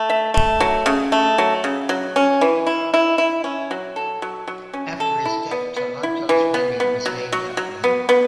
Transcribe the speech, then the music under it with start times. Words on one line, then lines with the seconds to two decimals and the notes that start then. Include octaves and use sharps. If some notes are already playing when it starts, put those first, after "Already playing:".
After his death, Taranto's venue was named after him.
Already playing: A3
0.10 E5
0.34 A3
0.60 F#3
0.86 C#3
1.12 A3
1.38 F#3
1.64 C#3
1.89 F#3
2.16 C#4
2.41 E3
2.67 E4
2.94 E4
3.18 E4
3.44 C#4
3.71 F#3
3.96 A4
4.22 F#3
4.48 F#3
4.73 C#4
5.00 A4
5.25 E4
5.51 B3
5.76 B3
6.03 E4
6.29 E3
6.54 B3
6.80 B3
7.06 F#3
7.32 F#3
7.57 F#3
7.84 B3
8.09 B3